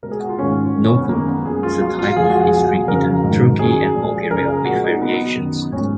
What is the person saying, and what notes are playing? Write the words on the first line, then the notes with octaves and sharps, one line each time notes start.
Nokul is a type of pastry eaten in Turkey and Bulgaria with variations.
B2 G#3 A#4
G#4
F#4
F4
G#2 D#3 G#3 C#4
F#2 D#3 G#3
C#4
B3
F#2 D#3 G#3 A#3
B3
F#2 F3 G#3 G#4
F4
B2 F#3 F4
F4
F2 F3 G#3 G#4
F#4
G#4
B2 F#3
F2 C#3 F#3 A#4
G#2 D#3 F#3
F#2 D#3 F#3 G#4
A#2 F3 G#3
F#2 C#3 F3 A#4
G#4
A#2 G#3 F#4
D#4
B2 F#3 B3
F#2 D#3 F#3
G#2 F3 G#3 C#4